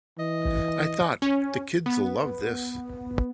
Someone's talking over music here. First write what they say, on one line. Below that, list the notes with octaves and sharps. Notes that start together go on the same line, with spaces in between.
I thought, 'The kids'll love this.
E3 D#5
C#4
B3